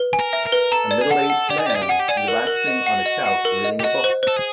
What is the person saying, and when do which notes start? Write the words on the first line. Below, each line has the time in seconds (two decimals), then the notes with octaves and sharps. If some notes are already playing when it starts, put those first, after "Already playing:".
A middleaged man relaxing on a couch reading a book.
Already playing: B4
0.13 G#5
0.19 A#4
0.33 E5
0.46 A#4
0.52 B4
0.72 A4 A#5
0.91 D5
1.01 G#4
1.11 A4 F#5
1.30 F#5
1.50 G4 D5
1.58 G#4
1.66 G4
1.70 D5
1.75 G#4
1.83 G4
1.89 G#4 F#5
1.99 G4
2.08 G#4 D5
2.17 G4
2.27 F#4 A#4
2.47 A#4
2.67 D#5
2.86 F#5
3.06 D#5
3.26 F#5
3.45 A#4
3.64 D#5
3.80 G4
3.84 F#4 D#5
4.04 C5
4.23 A4 C5
4.36 G#4